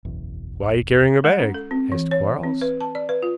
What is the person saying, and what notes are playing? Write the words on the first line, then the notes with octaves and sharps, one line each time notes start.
"Why carrying a bag?" asked Quarles.
F#1 B1 E2
G#3
C#4
A4
C4
E3
C#5
C4
B4
A5
D5
B4
F4